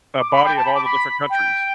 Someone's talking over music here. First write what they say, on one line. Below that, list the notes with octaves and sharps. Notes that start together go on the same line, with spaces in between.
a body of all the different countries.
D6
B5
G5
A5
B5
D6
B5
G5